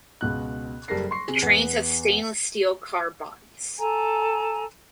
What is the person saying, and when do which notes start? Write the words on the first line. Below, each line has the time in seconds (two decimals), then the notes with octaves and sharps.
The trains have stainless steel car bodies.
0.21 C#2 B2 F#6
0.88 F#1 G3 A4 A#4 A#6 C7
1.11 C6 C#6 C7
1.28 C3 G#4
1.42 E2 B3
3.79 A4 G#5 A#5